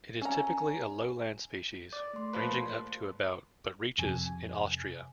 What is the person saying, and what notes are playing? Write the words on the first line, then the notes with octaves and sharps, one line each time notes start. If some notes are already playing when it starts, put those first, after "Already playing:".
It is typically a lowland species, ranging up to about but reaches in Austria.
C#4 A#5
D5
A3 C6
A#2 F3 B4
F2 C3 G#5